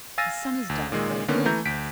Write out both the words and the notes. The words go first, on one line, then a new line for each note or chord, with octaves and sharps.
Her son has died bravely.
F5 G#5 E6 A6 A#6 D#7
D2
A#2 D#3 G#3
D3 D#3 A#3 B3 C#4
E3 A3 A#5 G6
D2 B6 D7